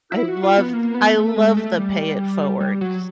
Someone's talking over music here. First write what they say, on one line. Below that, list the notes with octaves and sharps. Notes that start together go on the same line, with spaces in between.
I loved I loved the "pay it forwards."
E4
F#4
F4
B3
A#3
B3
A3
G#3
A3
G3
G3
F#3